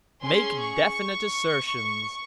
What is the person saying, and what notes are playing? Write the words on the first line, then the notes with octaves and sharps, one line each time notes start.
Make definite assertions.
C#4 G#4 C6
C#6